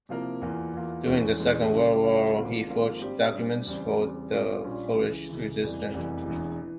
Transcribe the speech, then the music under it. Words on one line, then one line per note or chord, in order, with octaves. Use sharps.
During the Second World War he forged documents for the Polish resistance.
C3 F3 A#3 E4 A#4
E2 E3 A#3 F4
E2 E3 A#3 F4
E1 E2 E3 G#3 C#4
E1 E2 E3 G#3 C#4
C#2 C#3 G3 C#4 F4
C#2 C#3 G3 C#4 F4
G#1 G#2 F3 A#3 F4
G#1 G#2 F3 A#3 F4
G2 G3 C4 G4
G2 G3 C4 G4
E2 C#3 G3 C4
E2 C#3 G3 C4
A#1 A#2 G3 C#4 F4
A#1 A#2 G3 C#4 F4
C#2 C#3 E3
C#2 C#3 E3
F1 E2 E3 G3
F1 E2 E3 G3
E1 E2 E3
E3